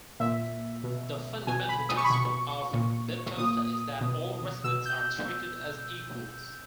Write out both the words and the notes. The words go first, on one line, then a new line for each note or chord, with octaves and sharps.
The fundamental principle of Benposta is that all residents are treated as equals.
A#2 E5
B2
B2 G#5
B5
D#6
C#6
B5
B2 C#6
A#2
A#2 D#6
B2
B2 E6
G6